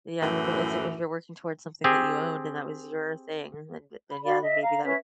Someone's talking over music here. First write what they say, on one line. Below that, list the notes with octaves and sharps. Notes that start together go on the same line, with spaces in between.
Yeah. If it was if you're working towards something that you owned and that was your thing, then then then, yeah, then maybe that would
F#2 A2 E3
C4 G4 G#4
B5
F#4 D5 F5 B5
D#5 E5
F5 A#5
C#4 B4 E5